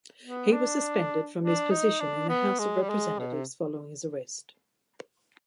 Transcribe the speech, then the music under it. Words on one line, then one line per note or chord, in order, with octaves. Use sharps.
He was suspended from his position in the House of Representatives following his arrest.
B3
D4
D4
D#4
D4
B3
G#3
G3
G#3
B2
C3